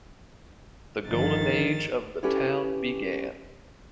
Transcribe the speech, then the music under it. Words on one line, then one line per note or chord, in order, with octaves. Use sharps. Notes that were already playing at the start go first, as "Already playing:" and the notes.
The Golden Age of the town began.
G1 D3 D#3 F3 A6
C#4 E4 G4 A4 B4 C#5